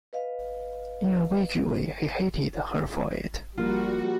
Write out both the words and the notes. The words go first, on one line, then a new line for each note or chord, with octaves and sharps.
In a vague way he hated her for it.
B4 D#5 F5
F3 G3 A#3 F4 F#4 A#4